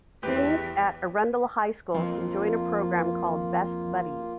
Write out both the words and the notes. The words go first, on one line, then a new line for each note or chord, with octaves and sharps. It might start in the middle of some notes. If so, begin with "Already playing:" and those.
Students at Arundel High School can join a program called Best Buddies.
E2 G4 B4
F2 F3 A#3 F4